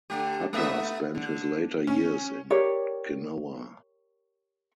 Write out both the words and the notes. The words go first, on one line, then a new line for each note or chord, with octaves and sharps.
Hutter spent his later years in Genoa.
D3 A3 G4
A3 B3 E5
D3
C#4
G4 A#4 C#5 D5